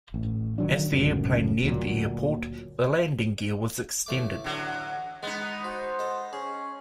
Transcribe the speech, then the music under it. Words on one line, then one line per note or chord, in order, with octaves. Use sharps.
As the airplane neared the airport, the landing gear was extended.
A1
D#3 F#3 D4
D1 C#2 F#2
D2 A#2 F#3
A1 A3 D6
D3 F#3
G#3 B3 D#4
F#4 C5
A4 D#5
C#4 G#4